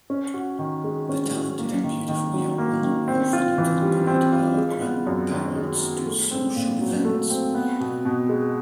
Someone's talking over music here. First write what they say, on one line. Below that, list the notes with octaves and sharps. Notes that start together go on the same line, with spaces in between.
The talented and beautiful young woman often accompanied her grandparents to social events.
C#4
F#4
D#3
G#3
C#4
F#4
A#3
D#3
D#3
F#3
A#3
D#3
C4
F4
E3
G3
C4
F4
G#3
B3
F#2
D#3
G#3
B3
A3
C4
A#2
F#3
A3
C4
B3
B2
B2
G#3